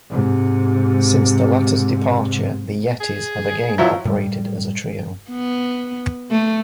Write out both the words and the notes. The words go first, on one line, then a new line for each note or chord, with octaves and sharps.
Since the latter's departure, The Yetties have again operated as a trio.
G#2 C3
G#4
F3 F#3 E4
A2 G3
B3
A3